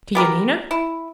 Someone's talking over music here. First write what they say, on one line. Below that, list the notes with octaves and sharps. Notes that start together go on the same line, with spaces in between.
"To Yanina?"
B3 G4 A#4
E4